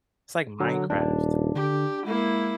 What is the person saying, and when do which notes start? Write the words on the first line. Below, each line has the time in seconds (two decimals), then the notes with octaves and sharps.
it's like Minecraft.
0.60 D3 F#3
0.90 D#1 D4
1.55 D3 G4
2.06 G#3 A#3 E4